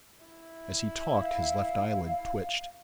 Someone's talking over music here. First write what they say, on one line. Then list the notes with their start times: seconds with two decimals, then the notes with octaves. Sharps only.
As he talked his left eyelid twitched.
0.24 E4
1.19 F5